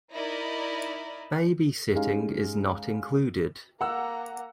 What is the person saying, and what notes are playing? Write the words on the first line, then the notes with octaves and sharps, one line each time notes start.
Babysitting is not included.
D#4 E4 A#4 D5 D#5
G#3 C#4 D#4 G4 F5
A#3 F#5 A#5 E6